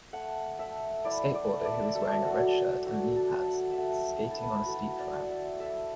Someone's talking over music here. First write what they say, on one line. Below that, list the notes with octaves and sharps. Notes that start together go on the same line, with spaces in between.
A skateboarder who is wearing a red shirt and knee pads is skating on a steep ramp.
A3 F#5
A3 E5
E4 D5
D5
A3
D5
E5
D5
F#3 A4
F#4 A4
F#3
D4 F#4
A4
F#3
F#5
E5
A3 F#5
E4
A4
B4
E4 F#4 A4
D5
A3
F#5
E5
A3 E5